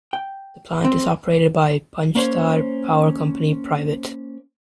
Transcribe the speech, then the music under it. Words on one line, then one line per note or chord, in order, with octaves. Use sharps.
The plant is operated by Panchthar Power Company Pvt.
G5
C4
A#3 C#4 C5 C#5